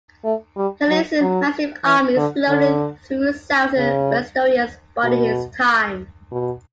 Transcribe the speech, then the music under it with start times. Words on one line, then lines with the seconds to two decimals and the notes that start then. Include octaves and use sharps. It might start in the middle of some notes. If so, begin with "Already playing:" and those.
He leads his massive army slowly through southern Westeros, biding his time.
0.24 A3
0.57 G3
0.89 F#3
1.21 F#3
1.84 E3
2.17 D3
2.49 D3
3.77 C#3
5.04 B2
6.31 B2